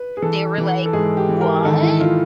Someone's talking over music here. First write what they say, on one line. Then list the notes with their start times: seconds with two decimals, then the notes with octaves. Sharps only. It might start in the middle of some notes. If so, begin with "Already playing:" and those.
They were like, "What?"
Already playing: B4
0.17 G#4
0.22 E3 A4
0.58 E3
0.86 A4
0.93 G#2 G#4
1.17 G4
1.29 E3
1.41 A#4
1.65 D#3 A4
1.83 E4
2.01 D#3 F4